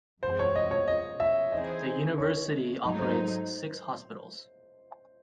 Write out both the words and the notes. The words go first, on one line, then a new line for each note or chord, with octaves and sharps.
The university operates six hospitals.
F#2 E3 G#3 C4 F#4 C5
C#5
D#5
C#5
D#5
E5
E3 C4 D#4 G#4 C5 D#5
C#5
G#2 F#3 A3 D#4 D#5
C5